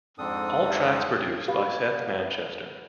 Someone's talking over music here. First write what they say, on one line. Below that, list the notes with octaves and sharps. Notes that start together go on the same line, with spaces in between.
All tracks produced by Seth Manchester.
F2 G#2 C4 D4 A4 D#6
B3 G4 F5